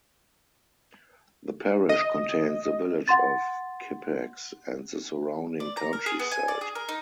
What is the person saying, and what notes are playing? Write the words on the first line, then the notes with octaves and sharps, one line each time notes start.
The parish contains the village of Kippax and the surrounding countryside.
D#5
F#5 C6 A6
D5
A#5
A#4
G#4
B3
G#5
D5
G#4
A#4
D#4